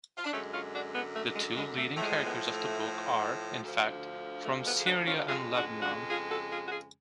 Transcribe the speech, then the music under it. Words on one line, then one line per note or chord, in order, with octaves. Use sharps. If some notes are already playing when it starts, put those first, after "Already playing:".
The two leading characters of the book are, in fact, from Syria and Lebanon.
F4
D4
F#2 D3 G#3 A3 C#4
C#4 F4
D4 F#4
G#3 B3
A3
G#3
G#3
A3
A2 F3 G#3 A3
G#3 B3
A3
D2 D3 F3
A3
G#3 B3
G#4
D4 F#4
C#4 F4
F2 C#3 G#3 F4 G#4
D4 F#4
D4 F#4
F4 G#4
F#4 A4
F4 G#4
F#4
F4 G#4